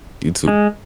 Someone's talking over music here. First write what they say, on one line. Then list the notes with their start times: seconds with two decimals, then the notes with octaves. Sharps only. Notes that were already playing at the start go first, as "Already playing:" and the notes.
You, too.
0.48 G#3